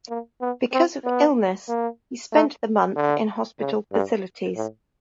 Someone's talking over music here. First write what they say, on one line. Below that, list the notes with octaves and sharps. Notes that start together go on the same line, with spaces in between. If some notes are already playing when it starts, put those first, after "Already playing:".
Because of illness, he spent the month in hospital facilities.
A#3
B3
C4
B3
A#3
A3
D3
C#3
G2
A2